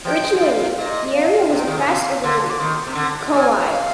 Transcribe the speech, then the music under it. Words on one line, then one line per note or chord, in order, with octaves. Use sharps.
Originally, the area was a fast eroding 'Khowai'.
F3 G5
G#3
G#3
G3 F5
C3
A#2 D#5
F5
C3 G5
D#3
D3
C3 F5
D3 C6
D6
D#3 C6
C3
D3
A#2 G#5
D#5
F5